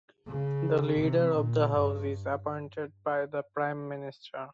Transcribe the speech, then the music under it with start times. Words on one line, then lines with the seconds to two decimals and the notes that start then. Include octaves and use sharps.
The leader of the house is appointed by the prime minister.
0.27 C#3
1.00 C3
1.36 A#2
1.73 G2